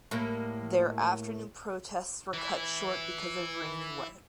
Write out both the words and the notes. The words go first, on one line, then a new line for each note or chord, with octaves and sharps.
Their afternoon protests were cut short because of rainy weather.
A2 G3 A#3
E3 E4